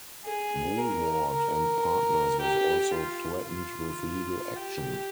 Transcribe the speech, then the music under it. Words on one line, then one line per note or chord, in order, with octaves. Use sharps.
Woolward and Partners was also threatened with legal action.
G#4
A#4
A#4
G4
F4
F4
G4